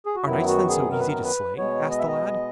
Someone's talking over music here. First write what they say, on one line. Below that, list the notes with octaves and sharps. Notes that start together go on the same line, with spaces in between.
'Are knights then so easy to slay?' asked the lad.
G#4
F#4
F#2 D#3 F#3 B3 E4
F#4
G#4
A#4
B4
A#4
B4
B2 G#3 B3 C#5
D#5
E5
D#5